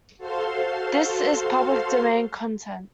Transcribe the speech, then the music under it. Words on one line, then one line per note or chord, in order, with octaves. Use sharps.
This is public domain content.
F#4 A4 C5 F5 C6